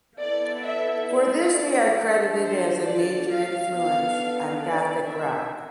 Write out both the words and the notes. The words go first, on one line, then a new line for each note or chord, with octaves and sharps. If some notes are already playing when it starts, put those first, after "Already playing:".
For this they are credited as a major influence on gothic rock.
B3 E4 A4 D5
E5
D5
D4 A4
C5
D5
F5
B3 D4 A4 F5
D5
E5